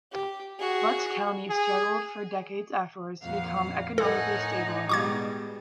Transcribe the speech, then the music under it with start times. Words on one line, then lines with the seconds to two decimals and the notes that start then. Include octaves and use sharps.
Butts County struggled for decades afterwards to become economically stable again.
0.12 G4
0.60 F#4 G#4
1.50 G#4
3.22 F2 A#2 F5 F#5
3.98 A2 D#4 A4 C#5 F#5 G#5
4.89 B2 G3 G#3 C#6 D6 G#6